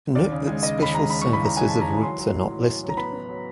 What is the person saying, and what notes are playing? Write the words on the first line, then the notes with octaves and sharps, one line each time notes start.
Note that special services of routes are not listed.
D#2 D5
C#3
G#3
C#3 D#5
D#2 B5
G#3 A#5
C#3 B5
E3 C#6
B5
C#3 A#5
G#3 G#5
D#2 A5
A#5
E3
F#3 C6
F#3
A2
F#3
F#3
F#3
A#5
B3 B5
B3
F#3